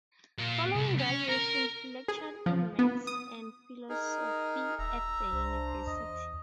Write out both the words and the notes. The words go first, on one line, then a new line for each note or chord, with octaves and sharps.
Following graduation he lectured in Maths and Philosophy at the university.
A#2
C2
C#4
A#4
G#4
F3
B3
D#6
D#4 G#4 A#4
D#1 E5 A#5
C2 D4 C5
E2 D#5